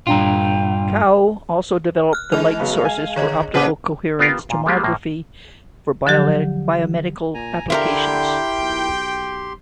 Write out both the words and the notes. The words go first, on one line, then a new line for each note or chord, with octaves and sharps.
Cao also developed the light sources for optical coherence tomography for biomedical applications.
G2 A#2 D4 F4 G5 A#5
F6 F#6
E3 G#3 F6 F7
C#3 F#3 B3
F5 G#5
D3 G#4 C#5 D#5
A#2 C#3 G#4 B4 C5 F#5 D6
B3 F4 G4 A#4
A#2 F4
G3 G#3 A#3 F4 G4
A2 A#3
D3 F3 F#3 G4
A#2 G#5 A#5
D3 E4 F4 G4 A#4 G5 C6
B1